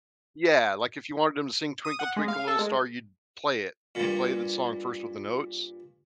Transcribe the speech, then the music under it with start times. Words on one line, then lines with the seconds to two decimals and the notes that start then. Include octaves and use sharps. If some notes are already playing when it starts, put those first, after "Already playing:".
Yeah, like if you wanted him to sing Twinkle Twinkle Little Star, you'd play it. You'd play the song first with the notes
1.85 D#6
1.99 F#5
2.16 G#3
2.28 F5
2.47 A4
2.59 G#3
3.95 G2 A#2